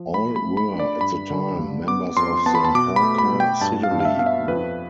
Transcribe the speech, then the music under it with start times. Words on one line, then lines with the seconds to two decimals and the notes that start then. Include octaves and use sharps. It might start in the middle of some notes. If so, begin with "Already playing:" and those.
All were, at the time, members of the Hawker Siddeley Group.
Already playing: F3
0.13 A3 B5
0.36 B5
0.42 A3
0.57 B5
0.72 D4
0.79 D5
1.01 G2 B5
1.30 D3
1.59 G2
1.87 B3 D6
2.17 F2 C6
2.46 B3 A5
2.55 B5
2.65 A5
2.75 B2 D6
2.96 B5
3.03 A3
3.18 B5
3.32 B2
3.40 G5
3.61 G2 A5
3.83 F5
3.91 G2
4.00 F5
4.05 E5
4.19 B3 F5
4.26 E5
4.48 F2 B4